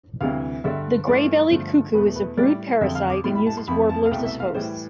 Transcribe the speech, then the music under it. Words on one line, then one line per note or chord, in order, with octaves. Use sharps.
The grey-bellied cuckoo is a brood parasite and uses warblers as hosts.
D2 C3 E3 G3 F5
G2 D3 G3 E5
G2 E3 A3 D5
G2 D3 F3 A3 C5
E2 B2 A3 B4
B4
A2 G3 D5
F2 D3 G3 E5
F5
D6
A2 G3 C6
B5
A5
C6
F2 E3 A3 B5
A5
F5
C2 B2 A3 G5
E5
F5
A2 E3 G3 C5